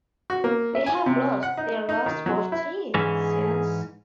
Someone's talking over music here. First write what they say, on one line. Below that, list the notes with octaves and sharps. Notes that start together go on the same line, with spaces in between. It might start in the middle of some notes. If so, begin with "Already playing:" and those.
They have lost their last fourteen since.
F#4
A#3
E5
G#5
C3
F#5
D#4
D#4
D#3
F#3
E4
G#2 E3 C#4 G#4